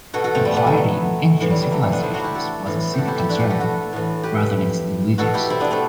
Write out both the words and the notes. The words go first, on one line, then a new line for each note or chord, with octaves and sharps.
Impiety in ancient civilizations was a civic concern, rather than religious.
B2 F#4 A4
F#4 A4
A3 C4
G3 B3
G3 B3
F#3 A3
F#3
A2 E3
G3
G3
F#3 A3
A3 C4
B3 D4
C4 E4
D4 F#4
E4 G4
F#4 A4
A2 E3
F#4 G4 A4
E4 G4
E4 G4
D4 F#4
G4 B4
F#4 A4
F#4 A4
A2 E3
G4 B4
B2 F#4 A4
E4 G4
C4 E4
B3 D4
A3 C4